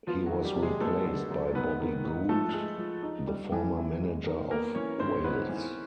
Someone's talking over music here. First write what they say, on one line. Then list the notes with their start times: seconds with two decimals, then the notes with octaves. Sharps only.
He was replaced by Bobby Gould, the former manager of Wales.
0.07 F3 B3 F4
0.26 F#3 F#4
0.32 D#3
0.44 G3 G4
0.57 C3
0.62 G#3 G#4
0.81 A3 B3 A4
1.05 D3
1.30 F#2
1.55 G#2 B3 B4
1.80 D#3
2.04 G#2
2.29 F3 A3 A4
2.53 G#3
2.78 F3
3.02 D#4
3.27 G3
3.52 E3
3.77 E4
4.02 G#3
4.26 D#3
4.51 A#3 B3 A#4
4.75 E3 C#4 C#5
5.00 G2 C4 C5
5.24 G#2 B3 B4
5.49 E3